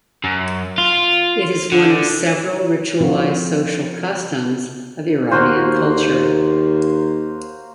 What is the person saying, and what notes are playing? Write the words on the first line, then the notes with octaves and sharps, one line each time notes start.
It is one of several ritualized social customs of Iranian culture.
F#2
F4
D3
C3 F3 C4 F4 F#4
D#2 A#3 F#4 C5